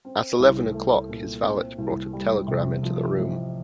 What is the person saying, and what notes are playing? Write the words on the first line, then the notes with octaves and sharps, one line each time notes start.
At eleven o'clock his valet brought a telegram into the room.
C4
C2
A3
A#2
C4
C2
G3
C3
F3
A1